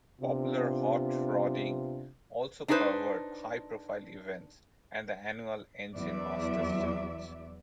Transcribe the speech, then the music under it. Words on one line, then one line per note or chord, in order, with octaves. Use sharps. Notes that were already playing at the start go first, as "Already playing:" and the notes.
"Popular Hot Rodding" also covered high-profile events and the annual Engine Masters Challenge.
C3 B3 D4 F4
D4 D#4 G4 G#4 B4 C5
E2 F#3 D5 E5